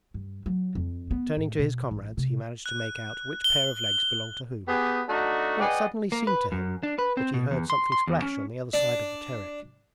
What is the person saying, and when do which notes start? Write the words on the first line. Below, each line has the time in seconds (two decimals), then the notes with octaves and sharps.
Turning to his comrades he managed to make out which pair of legs belonged to whom, when it suddenly seemed to him that he heard something splash on the other side of the Terek.
0.14 G2
0.46 F#3
0.75 F2
1.11 B3
1.37 A2
1.59 B2
1.91 A1
2.17 C3
2.66 F#6
3.44 G7
4.67 B3 G4 G#4
5.08 A3 D4 D#4 F#4
5.59 G#4 B4 D5 D#5 F#5 G5
6.12 A#3
6.27 B4
6.52 F#2
6.83 D4
6.99 B4
7.17 C4
7.34 B2
7.51 E2
7.70 C6
7.92 C6
8.07 E2
8.22 C#4
8.73 D4